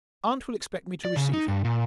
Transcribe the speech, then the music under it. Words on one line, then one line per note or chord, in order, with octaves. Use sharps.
Aunt will expect me to receive him.
D5
C#3
D#4
G2
A#2